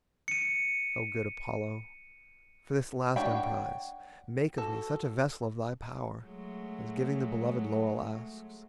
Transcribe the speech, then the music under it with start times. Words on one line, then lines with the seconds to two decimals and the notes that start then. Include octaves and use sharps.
O good Apollo, for this last emprise Make of me such a vessel of thy power As giving the beloved laurel asks!
0.28 C#7 D#7
3.16 D4 C#5 F#5 G5 B5
4.58 F#4 A4
6.24 F#3 G#3 A3